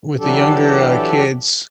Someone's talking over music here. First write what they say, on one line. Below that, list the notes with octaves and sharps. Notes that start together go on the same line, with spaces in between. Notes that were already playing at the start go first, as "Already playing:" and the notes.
with the younger, uh kids,
E3 F#3 D4 G4 A4